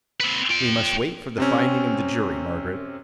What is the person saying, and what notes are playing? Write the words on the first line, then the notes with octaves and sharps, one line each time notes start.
"We must wait for the finding of the jury, Margaret."
C4 B4
F4 G5
C3 C4 C#4